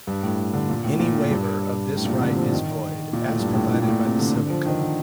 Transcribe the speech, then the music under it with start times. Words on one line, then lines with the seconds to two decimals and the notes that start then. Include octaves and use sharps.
Any waiver of this right is void, as provided by the Civil Code.
0.07 G2
0.23 A2
0.54 D3
0.69 A#2
0.84 A2
0.99 A#2
1.15 A2
1.30 G2
1.97 A2
2.05 A#2
2.13 C3
2.21 D3
2.36 F3
2.52 D#3
3.13 A#2
3.26 A2
3.39 G2
3.53 A2
3.74 A#2
3.82 A2
3.88 A#2
4.04 C3
4.19 D3
4.34 D3
4.50 F3
4.65 D#3
4.81 D3